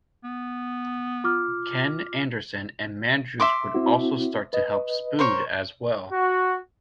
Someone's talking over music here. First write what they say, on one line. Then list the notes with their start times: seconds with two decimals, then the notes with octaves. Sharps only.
Ken Anderson and Mandrews would also start to help Spud as well.
0.24 B3
1.24 F4 D6 F6
3.40 E5 C6 D6
3.75 C4 E4 F#4
4.53 B4 D#5
5.19 A#4 C5 C#5
6.12 F#4